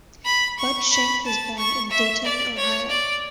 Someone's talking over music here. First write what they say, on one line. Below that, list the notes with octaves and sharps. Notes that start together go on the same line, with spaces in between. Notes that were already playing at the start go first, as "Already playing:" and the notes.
Bud Shank was born in Dayton, Ohio.
B5
C#6
B5
A5
C#6
E5
D5
C#5
D5